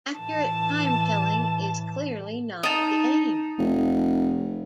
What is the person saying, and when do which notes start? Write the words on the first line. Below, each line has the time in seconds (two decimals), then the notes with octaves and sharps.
Accurate timetelling is clearly not the aim.
0.20 A2 E3 A5
2.63 D#4 A5
3.58 F1